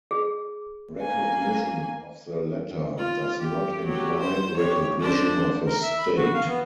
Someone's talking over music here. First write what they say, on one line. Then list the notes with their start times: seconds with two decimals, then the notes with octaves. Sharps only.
Recognition of the latter does not imply recognition of a state.
0.11 G#4
1.00 A#3 G#5
2.98 F4
3.40 G4
3.85 F#3 G4
4.20 C5
4.56 G4 C#5
5.00 D4 C5
5.66 A#4
5.82 E5
5.98 B5
6.17 F#4
6.34 F5
6.47 B3